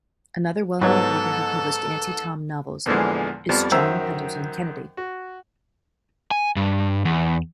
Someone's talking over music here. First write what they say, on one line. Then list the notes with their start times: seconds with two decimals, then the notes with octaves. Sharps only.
Another well-known author who published anti-Tom novels is John Pendleton Kennedy.
0.82 G#2 F#3 B3 A4
2.86 E2 A#2 D3 E3 F3 G#3
3.49 F2 F3 G3 B3
3.72 F#2 D#3 C5 E5 A#5 E6
4.97 F#4
6.31 G#5
6.56 G2
7.05 E2